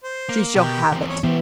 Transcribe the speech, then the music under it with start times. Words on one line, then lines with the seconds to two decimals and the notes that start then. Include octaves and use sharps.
"She shall have it."
0.03 C5
0.29 A#3
0.55 B2 G4 A#4
0.92 E2 C4
1.09 C#5
1.23 E3 B3 E4 G4 C5